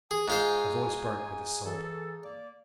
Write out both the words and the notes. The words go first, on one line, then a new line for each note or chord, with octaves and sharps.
Her voice broke with a sob.
G#4 G#5
G#2 F4 C5
E3 A4
A#3 D5